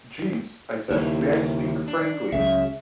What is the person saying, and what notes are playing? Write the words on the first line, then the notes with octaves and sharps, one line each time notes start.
"Jeeves," I said, "may I speak frankly?"
D#2 C#3 G3 E4
D4
C#2 C#3 F#3 E5